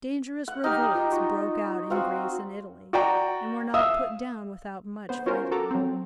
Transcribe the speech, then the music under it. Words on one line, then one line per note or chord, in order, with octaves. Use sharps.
Dangerous revolts broke out in Greece and Italy, and were not put down without much fighting.
F#5
D#4 G4 F6
F4
F4 F#4
C4 F4 F#4 F#5
F#4 D5 G5 A#5
E5 F5 D#6 E6
B3 C5
C#4 F4 F#4 A#4 C5
F#4 A4 A#5 D6
F#3 C4